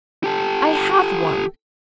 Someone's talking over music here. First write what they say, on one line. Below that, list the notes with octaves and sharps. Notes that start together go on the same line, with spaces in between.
"I have one."
G4 A4